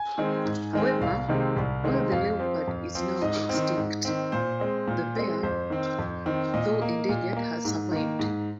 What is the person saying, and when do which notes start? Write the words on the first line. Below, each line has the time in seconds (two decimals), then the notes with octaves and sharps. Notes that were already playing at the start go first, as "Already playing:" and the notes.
However, while the leopard is now extinct the bear, though endangered, has survived.
Already playing: G#5
0.18 D#3 G#3 C4
0.45 G#2
0.73 D#3 G#3 C4
1.01 C2 F5
1.29 C3 D#3 G#3 C4
1.56 C2
1.84 C3 D#3 G#3 C4
2.12 F2 F5
2.39 F3 C4
2.67 F2
2.95 F3 C4
3.22 G#2 D#5
3.49 D#3 C4
3.77 G#2
4.05 D#3 C4
4.32 A#2 C5
4.60 G#3 C4
4.88 A#2
5.16 G#3 C4
5.43 F2 C5
5.70 D#3 C4
5.98 F2
6.26 D#3 C4
6.54 A#2 D#5
6.82 A#3
7.09 A#2
7.37 A#3
7.65 G#2
7.92 D#3 A#3
8.19 G#2